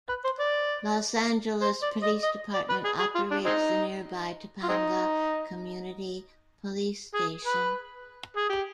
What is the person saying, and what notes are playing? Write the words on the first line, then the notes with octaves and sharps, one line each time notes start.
Los Angeles Police Department operates the nearby Topanga Community Police Station.
B4
C5
D5
C5
D5
D#5
D#5
D5
B4
G#4
G#4
F4
D4
G#3 C4 D#4
F4
G#3 C4 D#4
G#4
B4
G#4
G4